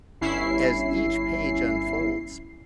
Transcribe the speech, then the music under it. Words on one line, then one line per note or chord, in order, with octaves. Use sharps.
as each page unfolds,
G1 C#4 E4 C7